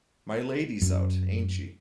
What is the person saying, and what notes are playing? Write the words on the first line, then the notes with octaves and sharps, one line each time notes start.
My Lady's out, ain't she?
F#2